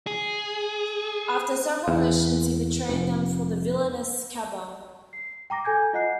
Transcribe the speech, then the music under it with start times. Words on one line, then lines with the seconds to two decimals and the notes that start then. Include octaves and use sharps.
After several missions, he betrayed them for the villainous Cabal.
0.07 G#4
1.88 E2
2.89 F1
5.13 C7
5.50 G5 A#5 D6 A#6
5.65 A4 G#5 G6 G#6
5.93 F4 D#5 F#5 A#5 F#6 C7